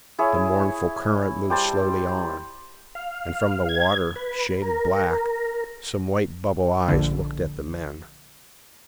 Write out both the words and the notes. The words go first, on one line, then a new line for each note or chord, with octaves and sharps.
The mournful current moved slowly on, and from the water, shaded black, some white bubble eyes looked at the men.
E4 G#4 C#5
G3 C5 A5
F5
G#6
B4
A#4
A#1 D3